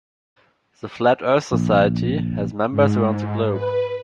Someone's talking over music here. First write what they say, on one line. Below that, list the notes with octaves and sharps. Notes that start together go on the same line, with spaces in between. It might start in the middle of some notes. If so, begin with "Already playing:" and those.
The Flat Earth Society has members around the globe.
A#1
G#2
B4